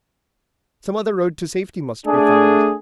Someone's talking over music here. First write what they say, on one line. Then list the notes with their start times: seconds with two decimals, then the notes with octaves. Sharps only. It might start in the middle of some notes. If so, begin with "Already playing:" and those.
Some other road to safety must be found!
2.06 A3 D4 G#4